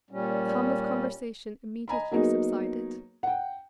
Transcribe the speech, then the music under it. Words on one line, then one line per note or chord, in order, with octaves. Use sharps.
The hum of conversation immediately subsided.
A#2 G3 C#4
D#5 G#5 A#5 B5
F#3 A#3 B3 D#4 G#4
F#5 G5